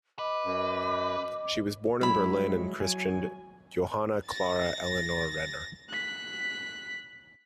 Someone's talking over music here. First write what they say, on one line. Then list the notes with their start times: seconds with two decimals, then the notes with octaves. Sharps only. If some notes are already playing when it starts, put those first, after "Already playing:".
She was born in Berlin and christened "Johanna Klara Eleonore Renner".
0.19 B4 D#5 D6
0.45 F#2
2.01 F#3 G#3 E4 B5
2.80 F#3 G#5
4.27 A6 A#6
5.89 F#6 B6